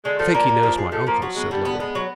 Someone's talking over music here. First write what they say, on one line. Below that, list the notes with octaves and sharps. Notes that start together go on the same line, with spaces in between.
"I think he knows my uncle," said Lily.
D3 G#3
F3 A3
D3 A#3
D3
F3
G#3
F3 A3
F3 A#3
F#3
G#3 B3
D3 G3
B3
G#3 B3
F#3